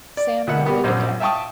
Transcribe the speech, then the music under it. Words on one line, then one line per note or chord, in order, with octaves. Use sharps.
Sam nodded again.
D5
D2 B2 A#3 E5 F#5
A#3 B3 F#4 G4
A#1 F#2 C5
E5 F5 G5 A5 C#6 D#6